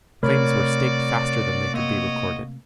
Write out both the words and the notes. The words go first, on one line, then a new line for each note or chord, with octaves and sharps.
Claims were staked faster than they could be recorded.
C3 A3 F#4 A#4 C#5 D5 B5
A#3 F#4 C#5 D#5